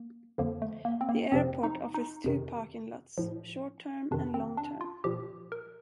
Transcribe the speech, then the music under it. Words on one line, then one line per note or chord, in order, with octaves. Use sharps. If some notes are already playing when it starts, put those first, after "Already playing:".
The airport offers two parking lots: short term and long term.
Already playing: A#3
F2 D3 F3 A#3
A3
A#3
C4
A#3
F2 C3 F3 C4
D#4
D#4
F2 C3 D#3
A2 F3
F2 C3 D#3 D4
C4
D4
F4
A#2 F3 G4
A#4